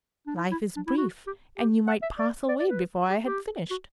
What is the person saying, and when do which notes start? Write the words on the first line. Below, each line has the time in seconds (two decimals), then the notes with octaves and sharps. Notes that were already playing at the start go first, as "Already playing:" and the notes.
Life is brief, and you might pass away before I had finished.
0.27 D4
0.36 E4
0.51 E4
0.76 D4
0.87 E4
0.97 F#4
1.27 G4
1.57 G4
1.87 F#5
2.03 E5
2.18 D5
2.49 D5
2.60 D5
2.69 B4
3.10 G4
3.25 G4
3.71 F#4